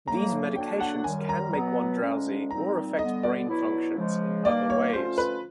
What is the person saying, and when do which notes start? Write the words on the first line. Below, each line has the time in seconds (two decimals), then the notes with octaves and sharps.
These medications can make one drowsy or affect brain functions in other ways.
0.07 A2 F#3 A#3 A#5
0.55 D3 F#3 A#3 D4 G5
0.80 F#5
1.04 F#2 D#3 G3 G#5
1.29 A#5
1.53 B2 F#3 B3 A#5
2.02 D3 F3 G#3 C#4
2.50 A#2 G3 C4 D#4 A#5
2.99 D3 G3 B3 D#5
3.23 D5
3.47 B2 F#3 B3 E4
3.97 C#3 F3 G#3
4.45 G2 D#3 G3 A#3 D5
4.70 C#5
4.93 D3 F3 A3 C#4 F4 C5
5.18 B4